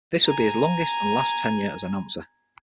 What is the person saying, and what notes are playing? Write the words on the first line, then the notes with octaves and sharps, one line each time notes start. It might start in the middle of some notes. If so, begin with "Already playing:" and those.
This would be his longest and last tenure as announcer.
G#5 A#5